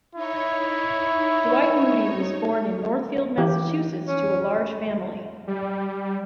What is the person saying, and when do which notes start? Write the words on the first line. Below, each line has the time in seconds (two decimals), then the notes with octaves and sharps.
Dwight Moody was born in Northfield, Massachusetts, to a large family.
0.15 D#4 E4 C#5
3.38 E3 G4
4.07 C#4
5.48 G3